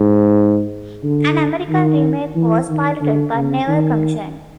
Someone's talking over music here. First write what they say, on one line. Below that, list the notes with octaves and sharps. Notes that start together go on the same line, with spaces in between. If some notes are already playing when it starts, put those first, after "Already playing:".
An American remake was piloted but never commissioned.
Already playing: G#2
D3
D#3
E3
D#3
D3
C#3
D#3